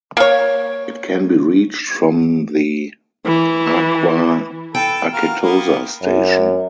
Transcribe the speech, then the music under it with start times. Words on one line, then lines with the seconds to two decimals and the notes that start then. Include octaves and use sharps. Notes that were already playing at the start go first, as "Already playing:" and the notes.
It can be reached from the Acqua Acetosa station.
0.17 A#3 C#5
3.26 E3
4.75 A4 B4 G5
5.13 F#4 A#4 F5
5.42 A#3 B3
6.02 F#2